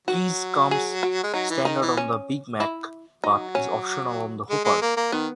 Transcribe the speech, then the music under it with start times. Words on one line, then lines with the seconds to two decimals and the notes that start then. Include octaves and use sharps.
Cheese comes standard on the Big Mac, but is optional on the Whopper.
0.07 D#3 F#3 F#4
0.71 G#4
1.03 F#4
1.24 G#3
1.34 F#3 D#4
1.50 E3
1.65 D#3 D#4
1.82 E3
1.97 C#4
2.60 E4
3.23 F#3 D#4
3.55 C#4
4.50 G#3
4.65 G#3
4.82 A#3
4.97 A#3
5.12 D#3 B3